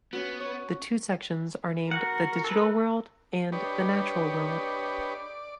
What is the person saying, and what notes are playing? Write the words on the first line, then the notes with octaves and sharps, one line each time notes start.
The two sections are named "The Digital World" and "The Natural World".
B3 C#4 F#4
C#5 C#6
F#4 A#4 F#5
A4 B4
D4 G4 B4 C#5 D#5
D5